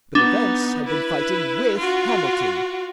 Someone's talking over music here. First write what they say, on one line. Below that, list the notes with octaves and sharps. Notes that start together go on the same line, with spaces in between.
But events had been fighting with Hamilton.
B3 D4 D#4
E4 B4
F4 F#4